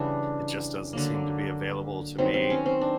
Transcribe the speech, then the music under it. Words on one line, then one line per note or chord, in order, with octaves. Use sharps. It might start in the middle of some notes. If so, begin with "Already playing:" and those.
it just doesn't seem to be available to me
Already playing: C#3 E3 G3 D4
D3 F#3 A#3
D#3 F#3 B3 C4
C4
C#4
C4
D4